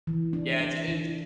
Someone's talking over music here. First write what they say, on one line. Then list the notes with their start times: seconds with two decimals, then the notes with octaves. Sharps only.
Yeah, it's it's
0.07 E3
0.33 D4
0.60 D4
0.88 E3